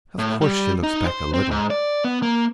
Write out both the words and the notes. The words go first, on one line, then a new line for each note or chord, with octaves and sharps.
"Of course she looks back a little."
A2
G3
D#4
C5
C4
G#2
D5
B3
A#3